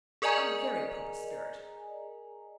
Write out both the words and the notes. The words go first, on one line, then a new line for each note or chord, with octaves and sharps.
A very proper spirit!'
G#4 A#4 D5 D#5 G#5 A#5